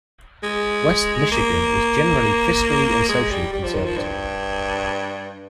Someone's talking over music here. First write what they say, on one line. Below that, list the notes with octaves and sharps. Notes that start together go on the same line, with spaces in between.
West Michigan is generally fiscally and socially conservative.
G#3
A#3
G#3
G3
G3
F3
D#3
F3
G2